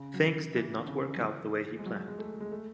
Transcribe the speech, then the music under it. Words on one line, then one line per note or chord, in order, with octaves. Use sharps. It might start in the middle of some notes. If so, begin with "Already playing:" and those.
Things did not work out the way he planned.
Already playing: C#3
F#3
E3
E3
D3
C#3
F#3
E3
G#3
F#3
G#3
A3
G#3
A3